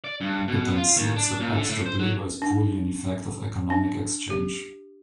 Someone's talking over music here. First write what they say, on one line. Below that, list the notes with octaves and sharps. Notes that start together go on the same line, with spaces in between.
It then seems that abstract labour is purely an "effect" of economic exchange.
D5
G2
B2
F4
D#2
D4
A#2
D3
A2
C5
F#3
D4
D4
G4